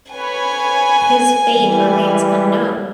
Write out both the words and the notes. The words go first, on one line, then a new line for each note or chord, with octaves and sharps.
His fate remains unknown.
B4 C#5 G#5
E3 G3